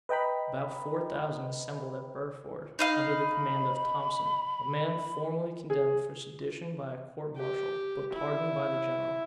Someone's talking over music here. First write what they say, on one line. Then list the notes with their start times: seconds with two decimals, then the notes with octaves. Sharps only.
About four thousand assembled at Burford, under the command of Thomson, a man formerly condemned for sedition by a court martial, but pardoned by the general.
0.09 B4 D#5 G5 A#5 B5
2.79 D#4 D#5 F5 B5
5.70 G#4
7.37 G4
8.14 E4